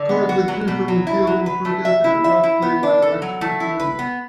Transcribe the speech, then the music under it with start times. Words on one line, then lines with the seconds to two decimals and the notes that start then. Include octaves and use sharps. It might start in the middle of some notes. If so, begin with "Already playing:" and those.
Cork withdrew from the field in protest at rough play by the Wexford team.
Already playing: D3
0.09 B3
0.29 F#4
0.48 F#3
0.68 B2
0.88 F#3
1.07 E4
1.27 F#3
1.46 B4
1.65 A3
1.85 E5
2.04 E4
2.24 E5
2.43 E4
2.62 B3
2.83 D4
3.02 A4
3.22 F#3
3.41 A3
3.60 E4
3.80 B4
3.99 B3